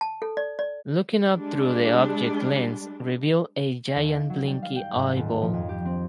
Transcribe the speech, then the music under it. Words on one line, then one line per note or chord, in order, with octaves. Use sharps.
Looking up through the objective lens revealed a giant blinking eyeball.
A5
A4
D5
D5
G3 G#3 D4
D#2
D7
F#3
G3
F5
G5
G#2
D#1
F3
F2
G4
C4